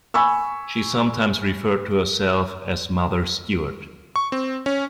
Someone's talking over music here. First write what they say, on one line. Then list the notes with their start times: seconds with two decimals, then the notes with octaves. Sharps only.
She sometimes referred to herself as Mother Stewart.
0.14 G#5 B5 C#6 E6
4.16 C#6
4.32 C4
4.66 C#4